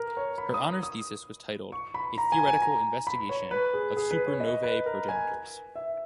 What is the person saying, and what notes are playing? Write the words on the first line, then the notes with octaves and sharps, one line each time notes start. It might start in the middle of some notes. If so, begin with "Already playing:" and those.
Her honors thesis was titled "A Theoretical Investigation of Supernovae Progenitors".
Already playing: A#4
C#5
B5
D#6
D#6
C#6
B5
A#5
G#5
G#5
A#5
B5
C#5
B4
G#4
G#4
B4
C#5
D#5
B4
A#4
G#5
E5